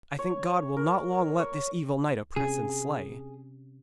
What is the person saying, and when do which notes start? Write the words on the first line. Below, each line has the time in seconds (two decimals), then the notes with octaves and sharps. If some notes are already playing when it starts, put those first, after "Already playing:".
I think God will not long let this evil knight oppress and slay.
0.19 C#5
0.77 A#4
1.39 C#5
2.36 C3 C#4 G#4